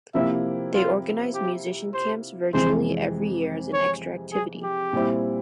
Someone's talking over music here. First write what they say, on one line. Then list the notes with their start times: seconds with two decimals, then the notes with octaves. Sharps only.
They organize musician camps virtually every year as an extra activity.
0.14 C3 F3 A#3 E4 G4 E5
0.74 F4
1.34 G4
1.94 C5
2.53 F2 C3 E3 G#3 C5
3.73 C#5
4.33 G#4
4.64 G4
4.93 A#2 G3 C4 E4